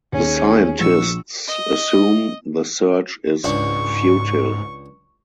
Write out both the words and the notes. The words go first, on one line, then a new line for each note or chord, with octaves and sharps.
The scientists assume the search is futile.
D#2 C#4 G#4
A#1 C#6 E6
D#5
C#2 G#2 D4 C#6